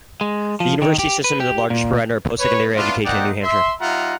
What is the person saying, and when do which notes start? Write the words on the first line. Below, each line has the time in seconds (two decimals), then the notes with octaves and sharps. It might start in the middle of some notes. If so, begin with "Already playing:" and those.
The University System is the largest provider of post-secondary education in New Hampshire.
0.21 G#3
0.60 F3
0.82 D#3
0.99 G4
1.24 B4
1.40 G4
1.70 A#2
2.39 B4 C#5
2.76 B3 C#4 D4 E4 F4
3.05 A#3 C4 D#4 D5 F#5 G5
3.43 E5 C6
3.81 G3 D#4 F4 E5 F#5 A#5